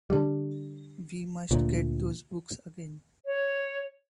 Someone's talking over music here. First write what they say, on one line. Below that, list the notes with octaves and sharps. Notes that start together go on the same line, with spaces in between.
We must get those books again.
D3 G3
D2 A#2
C#5